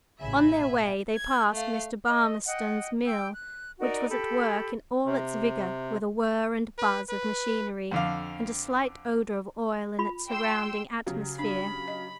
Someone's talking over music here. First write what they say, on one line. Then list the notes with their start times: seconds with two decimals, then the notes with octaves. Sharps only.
On their way they passed Mr. Burmistone's mill, which was at work in all its vigor, with a whir and buzz of machinery, and a slight odor of oil in its surrounding atmosphere.
0.19 A1 C#3 E5 G#5 B5
0.54 B2
1.16 G#6
1.51 A3 F5
2.07 D#5
2.47 D#5 F#5 G5
3.05 G5 E6 G6
3.31 F#6
3.79 D#4 F#4 A#4 D5
4.08 G4 A4 B5
5.06 C3
6.78 B4
7.10 B4
7.91 F2 D3 F5
9.99 F4 B5
10.28 G5 C6 E6
11.06 C#3 F#3 G4
11.39 D4 B5
11.88 D#5